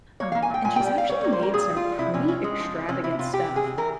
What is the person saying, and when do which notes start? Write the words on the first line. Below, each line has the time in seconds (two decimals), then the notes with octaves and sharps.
Um, and she's actually made some pretty extravagant stuff,
0.20 A#3 C#5
0.32 F5
0.35 A#3
0.42 G#5
0.50 A#2 G5
0.64 A#2 G#5
0.76 G5
0.80 G3
0.88 G5
0.94 G3 F5
1.09 G3 C#5
1.21 C#5
1.24 A#3
1.33 C5
1.39 G3 A#4
1.54 A#2 G#4
1.69 G3
1.77 F4
1.84 G3
1.99 C3 E4
2.14 C3 C#4
2.28 C3 C#4
2.44 G#3
2.59 F3
2.74 C3
2.89 C3 C#4
3.03 C3 E4
3.19 C3 F4
3.33 C3 G4
3.48 C3
3.56 G#4
3.64 C3
3.77 E3 A#4